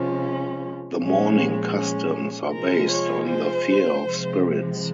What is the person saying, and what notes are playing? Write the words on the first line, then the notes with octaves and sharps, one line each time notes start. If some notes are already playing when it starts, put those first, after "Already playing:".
The mourning customs are based on the fear of spirits.
Already playing: C3 F3 G#3 C#4
A#2 F3 G#3 C#4
C#4
C3 F3 G#3 A#4
C#5
C5
C3 F3 G#3